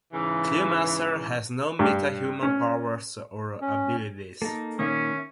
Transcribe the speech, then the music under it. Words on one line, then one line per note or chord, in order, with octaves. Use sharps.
Cluemaster has no metahuman powers or abilities.
G#2 C#3 E3
G2
C#4
C#4
A#3 D#4 A4
A#2 D#3 A#3 C#4 E5 C#6 D#6